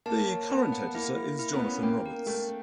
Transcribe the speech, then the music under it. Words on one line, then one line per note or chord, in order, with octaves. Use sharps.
The current editor is Jonathan Roberts.
A#3 A5
C#5
B3 A5
F#5
A#3 E4
E4
E4
B3
E4
C#4
A#3 G5
A#4
A3 G5